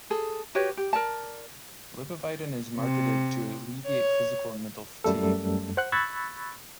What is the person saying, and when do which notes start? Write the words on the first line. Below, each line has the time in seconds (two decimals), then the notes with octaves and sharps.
Lipovitan is marketed to alleviate physical and mental fatigue.
0.10 G#4 A4
0.55 F#4 G4 B4 C#5
0.77 G4
0.93 A#4 D5 A5
2.77 C3
3.86 C#5
5.04 F#2 G3 A3 A4
5.77 C5 F#5 F#6
5.92 B5 C#6 E6 F#6 G#6 A6